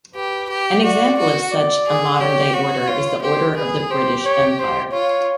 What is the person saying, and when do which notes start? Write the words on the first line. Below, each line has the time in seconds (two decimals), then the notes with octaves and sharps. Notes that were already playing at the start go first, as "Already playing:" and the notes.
An example of such a modern-day order is the Order of the British Empire.
0.15 G4 B4
0.50 G4
0.84 F#4 D5
1.18 F#4
1.51 D5
1.86 G#4
2.20 G4 C#5
2.54 F#4 C#5
2.87 F4 C#5
3.22 G4 C5
3.57 G#4 B4
3.90 G4 C5
4.25 C#5
4.58 C5
4.92 F4 C#5